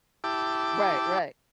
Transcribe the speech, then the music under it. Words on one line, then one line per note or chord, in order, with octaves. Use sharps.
Right, right.
E4 G4 A5 D6